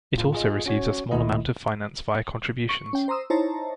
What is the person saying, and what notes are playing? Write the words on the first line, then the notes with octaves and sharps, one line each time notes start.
It also receives a small amount of finance via contributions.
A2 F4
F4 G#4 D#5
C#4 F#4 C#5
C#2 A#2 D#3 A3 E4 D#5
C#6
C#4 G5
C5 A#5 C6 D#6 E6
D#4 E4 C5 C#5 A5 A#5